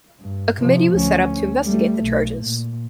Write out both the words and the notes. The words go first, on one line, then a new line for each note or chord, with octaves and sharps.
A committee was set up to investigate the charges.
G2
C3 F3
D2 C#4
G3 A3
B1
A#2